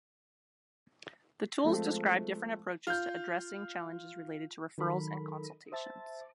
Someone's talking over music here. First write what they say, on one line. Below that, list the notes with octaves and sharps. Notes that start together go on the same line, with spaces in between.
The tools describe different approaches to addressing challenges related to referrals and consultations.
F3 G#3 A3 C4
F4 G6
D#3 F#3 A4 A#4 B5
C5 E5 A5 A6